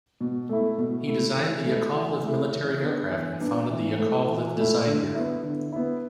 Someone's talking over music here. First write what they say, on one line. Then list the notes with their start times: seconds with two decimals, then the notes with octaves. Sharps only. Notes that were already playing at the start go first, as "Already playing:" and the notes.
He designed the Yakovlev military aircraft and founded the Yakovlev Design Bureau.
0.21 B2
0.49 A3 E4
0.78 B2
1.07 A3 E4
1.37 E3
1.65 A3 E4
1.95 E3
2.24 A3 E4
2.53 E3
2.82 B3 D4
3.11 E3
3.40 B3 D4
3.70 E3
3.98 A3 E4
4.27 E3
4.57 A3 E4
4.86 D3
5.15 B3 E4
5.43 D3
5.72 B3 E4